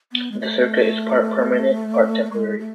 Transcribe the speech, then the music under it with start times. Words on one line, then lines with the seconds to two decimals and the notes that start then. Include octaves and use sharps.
The circuit is part permanent, part temporary.
0.12 B3
0.32 G#3
0.40 A3
2.32 G#3
2.59 A3